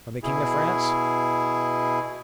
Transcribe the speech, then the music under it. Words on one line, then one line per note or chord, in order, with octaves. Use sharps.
"From the king of France?"
B2 E4 G#4